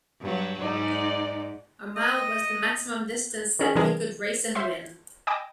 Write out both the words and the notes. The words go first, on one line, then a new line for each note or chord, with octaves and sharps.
A mile was the maximum distance that he could race and win.
G2 F#3
G#2 D#4 D5
D#5
D#3 C#4 G#4
C3 E3 G3 D4 G#4 A#4
C5 E5 F5 C6
D#5 G5 G#5 B5 D6 E6